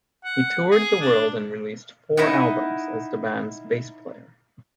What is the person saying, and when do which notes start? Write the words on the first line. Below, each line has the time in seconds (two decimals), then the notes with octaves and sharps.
He toured the world and released four albums as the band's bass player.
0.25 F#5
0.72 G#4
1.01 D4
2.17 D#4 E4 D#5 F#5